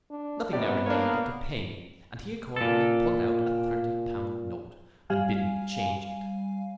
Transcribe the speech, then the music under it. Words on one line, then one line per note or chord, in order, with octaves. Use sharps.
Nothing now remained but to pay me, and he accordingly pulled out a thirty pound note, and bid me change it.
D4
F#2 B3 C4 G4 D5
A#3 D4 C#5
A#2 A4
G3 F5 G#5